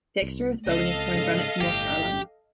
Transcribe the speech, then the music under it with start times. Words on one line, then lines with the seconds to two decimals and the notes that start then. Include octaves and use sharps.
The exterior of the building is covered in granite from North Carolina.
0.22 C2
0.66 C#2 C4 A4 D#5 F5
1.14 G#2 C#3
1.61 G1 A2 G4